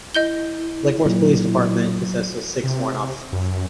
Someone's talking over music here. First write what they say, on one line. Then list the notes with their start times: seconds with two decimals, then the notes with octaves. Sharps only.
Lakemoor's Police Department consists of six sworn officers.
0.14 E4 D#5 G6 G7
1.06 A#2 F#3
2.64 C3
3.33 F#2